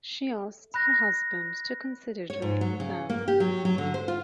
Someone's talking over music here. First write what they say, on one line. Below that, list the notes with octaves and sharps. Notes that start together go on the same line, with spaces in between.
She asks her husband to consider joining them.
B5 F#6 A#6
C#5
G#2
F#3
C#3
A#3
G4
F#3
F#3
D3
C5
F4